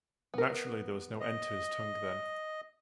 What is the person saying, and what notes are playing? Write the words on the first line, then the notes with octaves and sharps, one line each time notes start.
Naturally there was no end to his tongue then.
B3 A#4
D#5